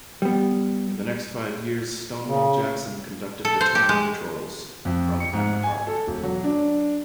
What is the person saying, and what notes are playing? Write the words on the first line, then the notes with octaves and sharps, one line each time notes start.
For the next five years "Stonewall Jackson" conducted deterrent patrols from Apra Harbor.
G3 B3
C#3
A4
C5
G4
G#3
F2
C#7
G#2
G#5
A4
E1
F#3
D4